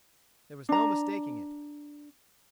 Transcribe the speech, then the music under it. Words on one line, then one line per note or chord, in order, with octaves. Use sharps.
There was no mistaking it.
D4 A#5